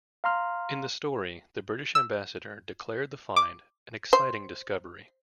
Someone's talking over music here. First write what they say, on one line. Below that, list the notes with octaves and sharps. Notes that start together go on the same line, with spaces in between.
In the story, the British Ambassador declared the find "an exciting discovery".
F5 A#5 C6 F6
E6
D6
C5